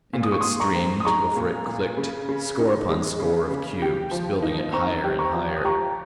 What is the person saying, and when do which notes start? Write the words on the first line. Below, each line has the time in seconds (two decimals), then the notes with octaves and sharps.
Into it streamed, over it clicked, score upon score of cubes, building it higher and higher.
0.13 A#2
0.23 D#6
0.32 C#6
0.40 A#2 C6 D#6
0.60 A#5 C#6
0.75 C4
1.00 D#6
1.05 G#3 A#5 C#6
1.36 A#2
1.67 A#2
1.97 C#3
2.29 C#3
2.59 D#4
2.90 G#3
3.20 C#3
3.51 C#3
3.82 G4
4.11 F3
4.42 D#4
4.73 C4 A#5 C#6
5.04 G4
5.19 A#5 C#6
5.34 F3
5.56 D#6
5.64 G4 A#5 C#6